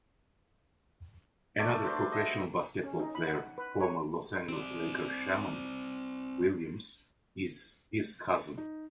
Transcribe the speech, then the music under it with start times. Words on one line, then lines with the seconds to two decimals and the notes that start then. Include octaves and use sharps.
Another professional basketball player, former Los Angeles Laker Shammond Williams, is his cousin.
1.59 A3 D5
1.84 D4 F#4 B4 C5
2.12 D#5 E5
2.83 C#4
2.99 D#4
3.15 B5
3.27 F#5
3.58 B4
3.80 C#5
4.49 C4 D5
8.58 D#4